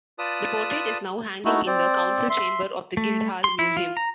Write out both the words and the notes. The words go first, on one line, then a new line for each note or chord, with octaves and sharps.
The portrait is now hanging in the Council Chamber of the Guildhall Museum.
F4 B4 D5 A5 D#6
A3 D#4 E4 F#4
C4 C5 D5
E5 C6
A3
C6
E4
F4
A#5